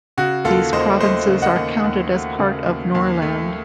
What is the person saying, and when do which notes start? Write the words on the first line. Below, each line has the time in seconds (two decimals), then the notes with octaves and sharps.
These provinces are counted as part of Norrland.
0.18 C#3 F#4
0.45 D#2 F4 A4
0.73 D#2 C5 D#5
1.00 A3 C5 D#5
1.28 C#3
1.42 D#5 F#5
1.56 D#2
1.84 D#2
2.11 A3
2.39 C#3
2.66 D#2
2.95 D#2
3.22 A3